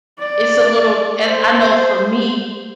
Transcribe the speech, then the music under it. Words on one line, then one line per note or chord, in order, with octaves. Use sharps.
it's a little as I know for me,
D5
C5